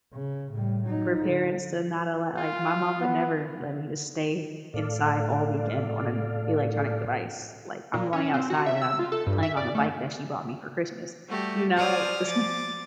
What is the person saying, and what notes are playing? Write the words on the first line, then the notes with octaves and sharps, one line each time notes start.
for parents to not allow like, my mom would never let me just stay inside all weekend on an electronic device. Like, I'm going outside and I'm playing on the bike that she bought me for Christmas, you know? So
C#3
A2 G3
F#3 D#4
D3
F4
B3
A2 A4 D5 F5
A#2
C#4
C4
F#4
E5
E6
F4
A4
G2
E5
D5
A3
G3 A3 F#4 G4
C5 D5 G#5 D#6 F6
F3 D6 A6